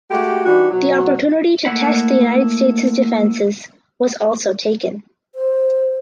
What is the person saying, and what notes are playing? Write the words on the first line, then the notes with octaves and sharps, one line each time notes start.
The opportunity to test the United States defences was also taken.
G#3 A3 F#4 G4
E3 G3 D4 D#4 F#4
B2 F#3
A3 A#3 E4 F#5 B5
C5